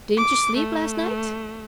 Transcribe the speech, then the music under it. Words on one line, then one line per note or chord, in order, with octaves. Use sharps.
"Didn't you sleep last night?"
D6
A3